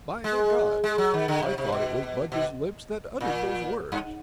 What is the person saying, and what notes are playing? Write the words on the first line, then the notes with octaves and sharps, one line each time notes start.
"By the gods, I thought it was Budge's lips that uttered those words."
G#3
G#3
F#3
D#3
D3
C3
C3
B2
B2
A#2
G2